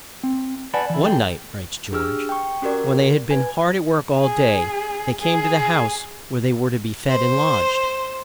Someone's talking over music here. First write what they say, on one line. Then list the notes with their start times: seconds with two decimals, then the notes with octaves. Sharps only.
One night, writes George, when they had been hard at work all day, they came to the house where they were to be fed and lodged.
0.24 C4
0.74 B4 D5 F#5 G#5 A5 B5
0.90 E3 E4
1.03 G#4 A4 D#5 G5
1.92 D4 G4 G#4 E6 F6
2.29 G5 C#6
2.62 C#4 F#4 G4 A#4 D5
3.31 B4 G#5
4.18 G#4
5.20 G#4
7.09 C5